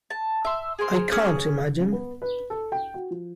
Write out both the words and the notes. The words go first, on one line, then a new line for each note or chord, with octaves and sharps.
I can't imagine.
A5
E5 C6
G#4 A#4 C5 C6
C#4 G#4
C#3
B3
B4
A4
G5
F#4
F3